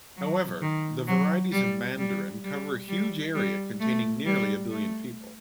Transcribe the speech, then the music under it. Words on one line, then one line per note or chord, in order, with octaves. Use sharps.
However, the varieties of Mandarin cover a huge area containing nearly a billion people.
F#3
D#3
F#3
G3
G3
G3
G3
G3
A3
G3
A3